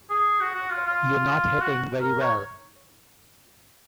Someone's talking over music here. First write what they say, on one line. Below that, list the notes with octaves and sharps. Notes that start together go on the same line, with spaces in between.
You're not hitting very well.
G#4
F#4
F#4
F4
F4
F#4
A#4
C#5